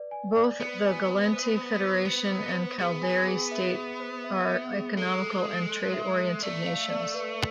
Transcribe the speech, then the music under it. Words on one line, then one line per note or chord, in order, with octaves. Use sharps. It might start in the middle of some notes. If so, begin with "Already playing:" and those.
Both the Gallente Federation and Caldari State are economical and trade oriented nations.
Already playing: B4 D5
G#5
D5
B3 C5
G#5
C5
C5
C5
C5
B3 C5
C5
C5
B3 G#4
G#5
G#4
E5
G#4
C5
E5
E5
G#4
G#3 A4
A4
A4
A4
E5
A4
A3 D5
F5
D5
B4